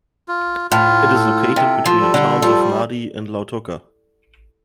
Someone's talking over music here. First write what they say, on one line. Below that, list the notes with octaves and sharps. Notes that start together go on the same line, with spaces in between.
It is located between the towns of Nadi and Lautoka.
F4
A2 F4
A4
C3 A4
F3
G3
D3
F3 G3